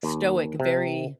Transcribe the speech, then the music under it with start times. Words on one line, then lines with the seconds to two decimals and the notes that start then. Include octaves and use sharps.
stoic, very,
0.03 D#2
0.60 C3